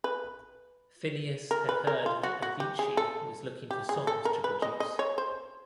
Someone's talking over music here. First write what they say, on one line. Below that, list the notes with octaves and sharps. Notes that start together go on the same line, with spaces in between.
Finneas had heard that Avicii was looking for songs to produce.
B4
A#4
B4
A#4
F4
F#4
F#4
G4
G#4
A4
G4
G#4
A4
A#4
B4
D#5
D#5
C#5
C5